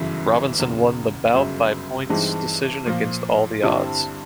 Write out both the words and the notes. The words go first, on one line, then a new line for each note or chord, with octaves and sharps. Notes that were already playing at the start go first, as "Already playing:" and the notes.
Robinson won the bout by a points decision against all the odds.
Already playing: G1 F#2 C#3 E3
F#1 E2 C#3
G1 F#2 C#3
G2 E3 G#3 C4 D#4
A#2 F3 A#3
G2 D3 G3 C4 E4